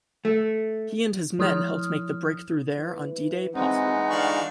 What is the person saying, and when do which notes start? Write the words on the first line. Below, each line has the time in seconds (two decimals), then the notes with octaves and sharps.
He and his men helped make the breakthrough there on D-Day possible.
0.25 A3
1.39 F3 E4 D#6 F6
2.78 E3
3.55 E3 G#3 C4 D#4 F#5
4.10 G1 D4 F5 C#6